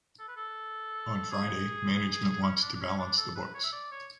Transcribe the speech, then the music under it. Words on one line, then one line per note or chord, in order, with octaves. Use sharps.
On Friday, management wants to balance the books.
A4
B4
A4
G#4
C#4
C#4
D4
D4
C#4
D4
A4
B4
C#5
E5
D5
C#5